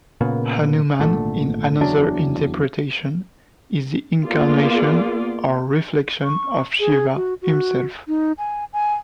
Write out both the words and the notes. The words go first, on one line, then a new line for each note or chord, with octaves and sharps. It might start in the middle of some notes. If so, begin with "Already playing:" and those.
Hanuman, in another interpretation, is the incarnation or reflection of Shiva himself.
A#2 C#3 A#3 B3
G#1 A#2 D3 A3
F#1 E2 F#3 D4
A#3 B3 F4 G#4 D5
C#6
G#4
F#4
F#4
D#4
G#5
G#5